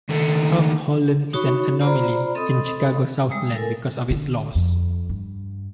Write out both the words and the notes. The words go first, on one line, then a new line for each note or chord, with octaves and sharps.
South Holland is an anomaly in Chicago Southland because of its laws.
D#2 A3
D#4 F#4 C#5 B5 C#6
F4 C5 D5 A#5 B5
C4 A4 D#5 B5 D#6
G3 G#3 D#6 E6
A4 A#4 G#5
D3
F2
G2